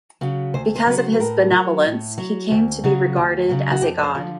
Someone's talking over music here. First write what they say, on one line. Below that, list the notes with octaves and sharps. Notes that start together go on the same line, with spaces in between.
Because of his benevolence, he came to be regarded as a god.
C#3 F#3
D2 C5
C5
C#3 F#3 B4
C5
B4
A2 A#4
F#3
A2
F#3
D2
C#3 F#3
D2
C#3 F#3
F#4
F2 G4
C#5
C5
D3 F3